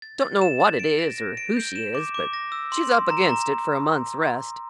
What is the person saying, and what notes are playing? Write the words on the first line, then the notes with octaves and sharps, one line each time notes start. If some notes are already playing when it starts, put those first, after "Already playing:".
Don't know what it is or who she is, but she's up against it for a month's rest.
A6
A6
E7
A6
D7
A#6
A#6
D7
G6
E7
D6
D6
A#6
E6
C6
C6
A#5
A#5